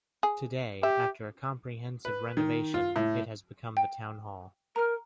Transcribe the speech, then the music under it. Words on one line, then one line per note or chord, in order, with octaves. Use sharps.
Today after a comprehensive renovation it has become the town hall.
G#4
G4 E5
B4
D#3
F4
A2
G5
A#4 A#5 F6